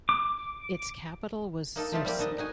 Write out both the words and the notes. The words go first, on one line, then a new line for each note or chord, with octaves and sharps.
Its capital was Czersk.
D6
A#3 D#4 A4
A3 C4 D#4 F4 G4 A4
G3 A#3 C4 G4
D#3 D4 A4 D#5
D#4 F#4 G#5